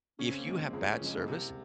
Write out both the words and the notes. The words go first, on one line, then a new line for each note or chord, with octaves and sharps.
if you have bad service,
C#3 C#4
C4
A#3
F3 G#3 C4
C#2 G#3
C#4
C#3 F3 G#3
A#3
C2 C3